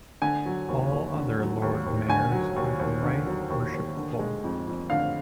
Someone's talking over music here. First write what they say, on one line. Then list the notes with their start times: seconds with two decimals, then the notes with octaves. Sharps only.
All other Lord Mayors are The Right Worshipful.
0.22 D3 G#5
0.46 F#3
0.68 D#2
0.92 D#2
1.15 D3
1.39 F#3
1.62 D#2
1.86 D#2
2.08 D3 G#5
2.32 F#3
2.56 D#2
2.79 D#2
3.03 D3
3.26 F#3
3.50 D#2
3.73 D#2
3.97 D3
4.19 G#3
4.44 F2
4.67 F2
4.90 D3 F5